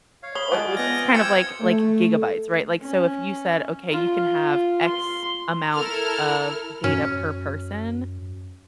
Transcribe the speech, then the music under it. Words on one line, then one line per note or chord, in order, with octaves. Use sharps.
Or it was kind of like like gigabytes, right? Like, so if you said, okay, you can have X amount of data per person,
C#5 F5
C#5 B5 D#6 G7
G#3 D4 F4 F#4 G#5 D6
B3 A#6
C4 G5 E6 G#6 C#7
A3
C#4
F4
C6
E4 A4 A#4 F6
F#2 C#4 F#4